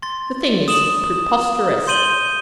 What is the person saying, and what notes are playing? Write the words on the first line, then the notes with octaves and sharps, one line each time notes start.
The thing is preposterous!
C6 A6
D#6 E7 F#7
C6 G6 D#7 F#7 G7